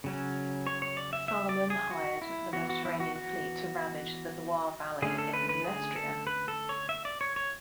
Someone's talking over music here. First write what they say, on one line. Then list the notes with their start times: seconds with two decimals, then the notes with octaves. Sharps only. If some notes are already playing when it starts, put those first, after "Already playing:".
Salomon hired the Mediterranean fleet to ravage the Loire valley in Nuestria.
0.04 C#3 F#3 C#4
0.67 C#5
0.82 C#5
0.97 D5
1.13 E5
1.28 E5
1.49 D5
1.70 G#4
1.91 F#4
2.22 E4
2.53 E3 B3 F#4
2.70 F#4
2.85 E4
3.00 F#4
3.16 F#4
5.02 D3 A3 C#4 G#4
5.18 A4
5.33 B4
5.49 B4
5.64 G#4
5.96 A4
6.27 B4
6.48 A4
6.69 C#5
6.89 E5
7.05 D5
7.21 C#5
7.36 C#5